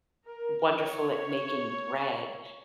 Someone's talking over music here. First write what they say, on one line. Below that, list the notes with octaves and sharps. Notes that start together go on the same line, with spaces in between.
wonderful at making bread,
A#4
C#5